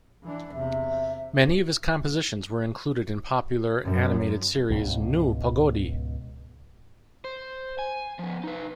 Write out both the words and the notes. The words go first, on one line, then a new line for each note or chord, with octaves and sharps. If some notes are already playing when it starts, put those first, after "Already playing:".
Many of his compositions were included in popular animated series Nu, pogodi!
E3 D4
E2 C3 E5
F#2
C#2 G#2 B2
C5
G#5
F3 B3
D#4 B4